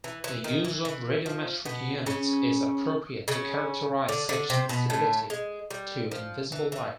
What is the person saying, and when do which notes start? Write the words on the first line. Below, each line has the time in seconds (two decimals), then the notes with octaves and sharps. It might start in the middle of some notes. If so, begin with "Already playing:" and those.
The use of radiometric units is appropriate to characterize such sensitivity to invisible light.
0.04 E3
0.24 E3
0.44 D#3
0.65 E3
0.85 E3
1.26 F3
1.65 B2 B3
2.06 C#3 C#4
3.28 C#3 C#4
4.09 D3 D4
4.29 D3 D4
4.50 C3 C4
4.69 B2 B3
4.90 A2 A3
5.30 G#3
5.71 G3
6.12 F3
6.52 E3
6.72 E3